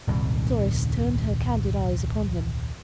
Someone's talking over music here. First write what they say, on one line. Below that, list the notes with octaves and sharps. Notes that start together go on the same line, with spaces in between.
Doris turned her candid eyes upon him.
D#1 C2 G#2